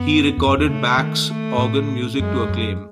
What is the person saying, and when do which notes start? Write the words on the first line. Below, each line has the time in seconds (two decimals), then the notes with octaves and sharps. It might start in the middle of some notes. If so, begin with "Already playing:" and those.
He recorded Bach's organ music to acclaim.
Already playing: F#2 B3
0.37 E2
0.47 F#2
0.57 E2
0.67 C#3 A3
0.98 D#3
1.28 A3
1.58 A2
2.18 F#2 G#3
2.49 F#2